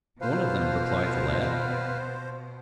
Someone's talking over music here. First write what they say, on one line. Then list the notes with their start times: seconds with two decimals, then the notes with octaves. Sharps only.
"One of them," replied the lad.
0.21 B2 F3 B4 C5 F5